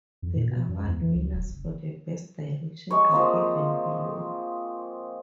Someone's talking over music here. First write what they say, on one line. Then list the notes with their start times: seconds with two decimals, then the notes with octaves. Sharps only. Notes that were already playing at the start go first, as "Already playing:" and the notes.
The award winners for Best Direction are given below.
0.22 F2
0.36 A#2
0.50 B2
0.69 F#2
0.85 E2
1.01 E3
1.15 C#2
1.33 D#1
1.50 F#1
2.91 G#3 C#5
3.11 F3 G#3 A#3 C4